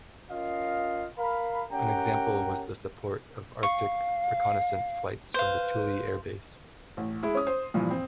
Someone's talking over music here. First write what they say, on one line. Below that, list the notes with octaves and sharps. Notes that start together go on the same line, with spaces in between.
An example was the support of Arctic reconnaissance flights from Thule Air Base.
C#4 F4 A#4 D#5 F5
A#4 F5 B5
C#4 G4 A#4 F#5 G5 A#5
F5 C#6
B4 C5 F5
A1
G#3 E4
C#4 D#6
C5
G2 A#2 E3 F3
C4